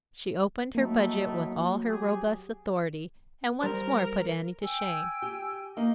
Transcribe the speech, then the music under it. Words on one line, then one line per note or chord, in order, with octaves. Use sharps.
She opened her budget with all her robust authority, and once more put Annie to shame.
A2 F#3 A3 A#3 D#4
G4 G#4
G3 A#4 C5
G5 G#5 E6
G4
A#3 D#4 D#5